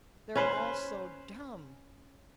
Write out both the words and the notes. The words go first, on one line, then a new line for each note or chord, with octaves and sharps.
They're all so dumb.
C#4 B4 C5